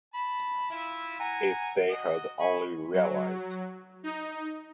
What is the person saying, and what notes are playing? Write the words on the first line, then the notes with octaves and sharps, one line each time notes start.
If they had only realized!
A5 B5
E4 F4 E5
F#5 G#5 A#5
F#4 D#5
G#5 B5 C#6
F#3
D#4